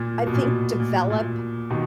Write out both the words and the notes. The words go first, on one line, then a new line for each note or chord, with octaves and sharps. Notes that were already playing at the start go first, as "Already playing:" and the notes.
I think, develop
Already playing: A#2
B2
A#2
A#2
A#2
B2 D#3